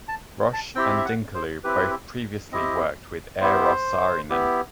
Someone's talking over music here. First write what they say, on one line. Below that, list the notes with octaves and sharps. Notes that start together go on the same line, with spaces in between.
Roche and Dinkeloo both previously worked with Eero Saarinen.
A5
A5
C4 E4 G4 G5
E5
F#5
C5
C4 E4 G4 B4
C4 E4 G4 D#5
B3 E4 G4 C5
B3 E4 G4